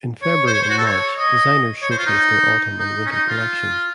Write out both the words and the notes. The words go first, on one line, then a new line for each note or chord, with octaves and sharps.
In February and March, designers showcased their autumn and winter collections.
C#5
C5
C#5
C5
F#4
A4
C#5
D#5
C#5
C5
F4
D#4
D#4
C#4
D#4
F4